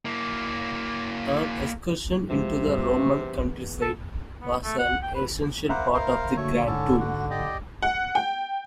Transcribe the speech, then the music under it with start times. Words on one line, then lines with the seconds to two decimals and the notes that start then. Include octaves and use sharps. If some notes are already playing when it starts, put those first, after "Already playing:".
An excursion into the Roman countryside was an essential part of the Grand Tour.
0.05 A#3 E4
2.30 C3 E3 F3 G#3
2.64 G2
3.21 E2
3.82 A4
4.42 B3
4.64 A3
4.78 F#5
5.03 G5
5.15 B4
5.69 A#3 C5 E5 F#5 A#5 B5
5.94 A#4 C5 F5
6.37 D3 A3 A#3 F#4 C#5
6.67 G#2 D3 C#4 A4
7.00 F#4
7.31 G4 D5 D#5
7.82 F#5
8.15 G5